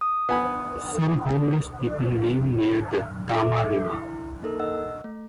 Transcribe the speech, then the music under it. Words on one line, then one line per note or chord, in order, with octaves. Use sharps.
Some homeless people live near the Tama River.
D#6
B3 G#5 B5
A4 E5 D6
E4
A#3 D#4 A4 A#4
D#5 F#5 E6
A3